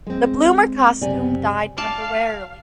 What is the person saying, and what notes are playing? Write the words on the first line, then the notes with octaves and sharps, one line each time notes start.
The bloomer costume died - temporarily.
G#3 C4
F#1 C3 D5 G#5
D5 F5 A5